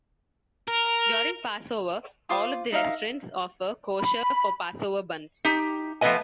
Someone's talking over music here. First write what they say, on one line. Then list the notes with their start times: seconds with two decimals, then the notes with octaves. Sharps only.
During Passover, all of the restaurants offer kosher-for-Passover buns.
0.68 A#4
2.29 F4 C5 D6 D#6
2.72 D#4 A#4 E5 F5
4.00 B5
5.45 D#4 G4
6.01 F3 A3 B3 B4 D#5 G#5